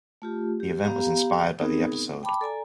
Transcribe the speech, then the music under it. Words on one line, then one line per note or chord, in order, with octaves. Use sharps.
The event was inspired by the episode.
A3 F4 G4
G4
B3 G4 F5 A#5
B3 C4 D#4 G#4 A#4
G5 A5 B5 D6
A4 D5 G#5 A#5